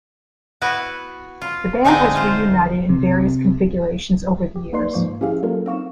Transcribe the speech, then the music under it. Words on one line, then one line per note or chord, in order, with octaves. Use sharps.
The band has reunited in various configurations over the years.
B3 E4 F#4 B4
F4
D3 G#3 A3 C4 D#4 D#5
A3 F4 C5
C3
G4
A#3 D#4 B4 D5 C6 C7
G#2 F3 A#3 C5 C#6
C#4 E4 G4 G#4 E5 F5
F#3 A#3 F4 A4 A#4
C4 D#4 F5 C#6 E7